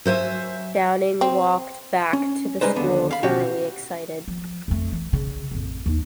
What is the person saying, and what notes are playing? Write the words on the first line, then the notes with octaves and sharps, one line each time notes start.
Downing walked back to the school thoroughly excited.
F#3 C5 E5 G#5
C4
C#4
G3 G#3 D#4 B4 C5
D#2 D3 B3
F5 B5
B2 C#4 F#4 G4
F3
F2 A3
E3
C#3
A1 F2
D#2 D#4